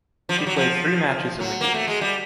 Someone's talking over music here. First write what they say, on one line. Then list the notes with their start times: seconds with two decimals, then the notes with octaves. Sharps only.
She played three matches in the Games.
0.29 F3
0.38 G3
0.47 F#3
0.56 F3
1.40 F#3
1.61 A#3
1.74 A3
1.88 G#3
2.01 G3